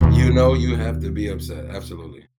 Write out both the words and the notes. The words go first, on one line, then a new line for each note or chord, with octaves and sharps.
You know, you have to be upset, absolutely.
D#2 B2